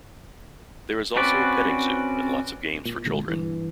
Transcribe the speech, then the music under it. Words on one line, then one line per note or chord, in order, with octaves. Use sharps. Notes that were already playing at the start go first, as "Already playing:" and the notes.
There is also a petting zoo and lots of games for children.
C4 C#4 F#4 B4 D5
A#2
G1 A#2 D3 G#3
G2 E3